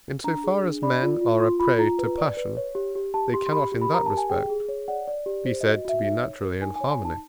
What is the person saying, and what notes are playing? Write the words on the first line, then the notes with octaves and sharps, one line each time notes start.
In so far as men are a prey to passion, they cannot, in that respect, be said to be naturally in harmony.
D4 A#5
G#4
D4
D5 B5
F4
F4
F4 C6
F4 B5
F4 A#5
B4
D5
B4
C#5
G4
G4
G4 A5
G4 C6
C6
G4 B5
G4
B5
A#4 A#5
G4 A5
G#5
G#4 G5
G#4
C#5
D5 F#5
D5
G4
C5
D#5
F#4
D#5
F#4 E5
D#4 E5
C#5
A#4
D#4 G#5
G#5
C#5
G#5
D#4 A5